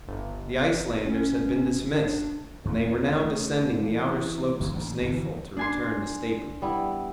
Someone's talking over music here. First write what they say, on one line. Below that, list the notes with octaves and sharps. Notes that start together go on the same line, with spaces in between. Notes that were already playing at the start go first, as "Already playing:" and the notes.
The Icelanders had been dismissed, and they were now descending the outer slopes of Snaefell to return to Stapi.
G1
C#4
D4
D#2 C#3 A3
A3
E3
G1 E2 E3 G#3
A1 D#2 D3
G1 E3
D4 G#5 C6
G3 B3 E4